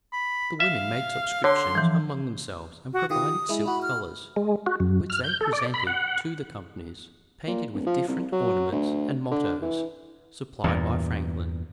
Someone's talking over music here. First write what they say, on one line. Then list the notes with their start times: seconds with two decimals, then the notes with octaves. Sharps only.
The women made subscriptions among themselves, and provided silk colors, which they presented to the companies, painted with different ornaments and mottoes, supplied by Franklin.
0.13 B5
0.60 E5 F5
1.44 D3 C#5 C6
1.75 E3 F3
2.93 F#4
3.10 D#3 F4 G4 D#6
3.49 G#3 E4 G#4
3.66 E4 F#4 B5
3.82 F6
4.36 G#3
4.66 F#4
4.80 F#2
5.10 F6
5.24 G6
5.41 A4
5.53 D5
5.74 B5
5.87 F#5
7.47 A#2
7.73 D1
7.86 F3
8.08 C2
8.32 F#3
8.72 D2
9.31 D3
9.62 E3
10.64 E2 G2 A#2